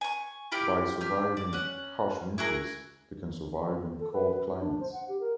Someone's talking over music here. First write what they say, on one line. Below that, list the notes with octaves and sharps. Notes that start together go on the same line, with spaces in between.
By surviving harsh winters, they can survive in cold climates.
G#5 C#6
E4 F4 G4 F6
G4 F6
D5
C#4 F#5
E4 F#4 G#4 A#4
A4
B4
B4
F#3
D4
C5
F#5
G4
A#4